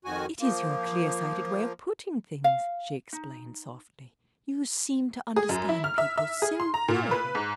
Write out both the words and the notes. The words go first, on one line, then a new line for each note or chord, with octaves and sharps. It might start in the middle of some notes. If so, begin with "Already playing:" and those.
"It is your clear-sighted way of putting things," she explained softly. "You seem to understand people so thoroughly."
F2 D#3 F#4 G#5
F3 A#3
F5
D#4
G#4
F#2
E4
F6
E5
E5
G#4
C6
A#5
A#2
B4
G#2